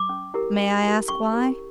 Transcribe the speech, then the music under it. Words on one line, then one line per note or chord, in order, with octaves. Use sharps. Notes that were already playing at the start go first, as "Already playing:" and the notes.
"May I ask why?"
Already playing: D6
C#4
E4 G4 A#4
C#4
E4 G4 A#4
C#4 C#6
E4 G4 A#4